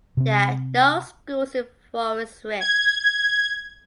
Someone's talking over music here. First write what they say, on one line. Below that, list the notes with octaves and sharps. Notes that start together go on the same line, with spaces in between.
There are no schools in Forest Ridge.
C3 C4
G#6